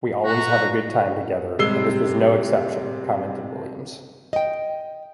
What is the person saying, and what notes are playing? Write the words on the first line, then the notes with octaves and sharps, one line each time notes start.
We always have a good time together and this was no exception, commented Williams.
F#4 B4 A#5
C3 G3 G#3 E6 C7 G7
D#5 G5